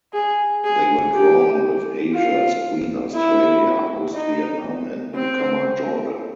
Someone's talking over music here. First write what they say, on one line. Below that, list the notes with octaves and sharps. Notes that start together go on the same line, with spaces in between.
They were drawn with Asia's Queen Australia, host Vietnam and newcomer Jordan.
G#4
G#4
G4
F4
E4
D#4
C4